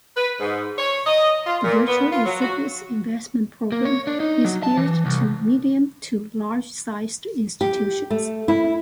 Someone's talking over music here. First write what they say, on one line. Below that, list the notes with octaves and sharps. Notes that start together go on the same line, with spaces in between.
The Virtual Exhibits Investment Program is geared to medium- to large-sized institutions.
B4
G#2
C#5
D#5
F4
A#2
B3
F4
F#3
F#4
A#3
C#5
D4
D#4
F#3
A5
E3
C2
G4
A3
E4